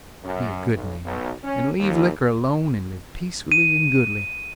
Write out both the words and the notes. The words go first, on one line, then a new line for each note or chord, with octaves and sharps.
Be a good man, and leave liquor alone and live peaceably and goodly.
F#2
B1
B1
C#4
D#2
D#7